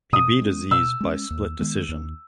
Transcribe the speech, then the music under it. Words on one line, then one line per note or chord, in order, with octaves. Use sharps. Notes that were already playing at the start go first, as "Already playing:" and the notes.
He beat Aziz by split decision.
B2 D#6
G#3 C#4
B2 E6
G#3 C#4
D#2
D#3 G#3 B3
D#2